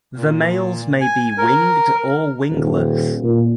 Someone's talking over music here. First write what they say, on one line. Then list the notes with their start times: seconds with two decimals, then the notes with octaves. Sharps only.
The males may be winged or wingless.
0.16 A#2
1.01 G#5
1.38 A#4
2.50 D#1
3.23 A#2